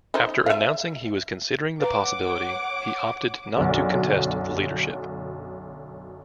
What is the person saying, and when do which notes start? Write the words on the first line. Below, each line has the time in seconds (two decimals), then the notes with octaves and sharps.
After announcing he was considering the possibility, he opted not to contest the leadership.
0.14 D#4 C5
0.46 E5 F5
1.80 B4 C#5 F5 F#5 A#5 D6
3.56 B1 F#2 D3